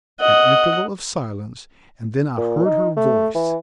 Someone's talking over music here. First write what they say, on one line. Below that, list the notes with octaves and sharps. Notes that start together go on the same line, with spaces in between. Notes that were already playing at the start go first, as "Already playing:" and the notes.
An interval of silence, and then I heard her voice.
D#5 F#5
A#2
D#4
A3
E3